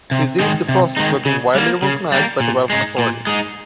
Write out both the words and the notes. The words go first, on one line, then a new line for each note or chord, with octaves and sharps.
This aids the process by being widely recognised by the relevant authorities.
C3
D#3 G#3 D#4
C3
D#3 G#3 D#4
C#3
G3 A#3
C#3
G3 A#3
A#2
G#3 D#4
A#2
G#3 D#4